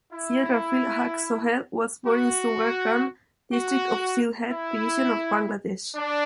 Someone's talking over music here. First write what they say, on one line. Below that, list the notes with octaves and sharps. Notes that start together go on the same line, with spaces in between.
Syed Rafiqul Haque Sohel was born in Sunamganj District of Sylhet Division of Bangladesh.
E4
F#4
F#4
E4
D4